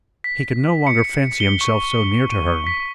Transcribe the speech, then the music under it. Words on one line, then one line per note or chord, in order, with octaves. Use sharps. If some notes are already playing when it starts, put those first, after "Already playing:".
He could no longer fancy himself so near to her.
B6
C#7
G7
C#6
D#7
B6